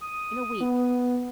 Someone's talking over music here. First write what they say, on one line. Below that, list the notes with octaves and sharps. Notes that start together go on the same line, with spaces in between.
'In a week.
D#6
B3